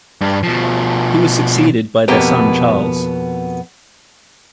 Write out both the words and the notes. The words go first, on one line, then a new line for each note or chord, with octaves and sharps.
He was succeeded by their son Charles.
G2
B2 F3
F2 B2 A#3 B3 G4